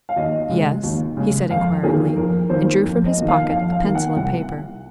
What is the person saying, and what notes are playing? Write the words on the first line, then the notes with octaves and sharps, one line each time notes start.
"Yes?" he said, enquiringly, and drew from his pocket a pencil and paper.
F5
D#2 D#5
C#3 G#3
D#2
C#3 G#3
F2 F5
D#3 A#3 G#4
F2 A#4
D#3 A#3 C5
F2
D#5
D#3 A#3
F5
F2 F5
F5
D#3 A#3
F#5
C2 F#5